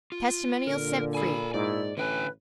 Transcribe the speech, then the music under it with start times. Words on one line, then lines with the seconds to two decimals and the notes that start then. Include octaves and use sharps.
Testimonials SENT FREE.
0.12 F4
0.67 A#2 D3 A#4
1.15 A4 G#5 B5
1.54 G#2 E4 D5
1.97 A1 D3 B4 G5 G#5